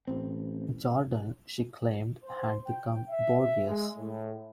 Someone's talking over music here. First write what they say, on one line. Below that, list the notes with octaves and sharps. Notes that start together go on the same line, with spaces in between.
Jordan, she claimed, had become bourgeois.
A1 C4
C5
G5
E5
G#3
A2